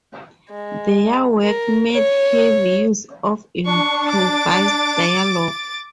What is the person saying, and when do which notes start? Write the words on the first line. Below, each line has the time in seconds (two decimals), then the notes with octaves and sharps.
Their work made heavy use of improvised dialogue.
0.49 G#3
1.43 A#4
1.92 C#5
3.66 D4 C#6
4.06 D6 A6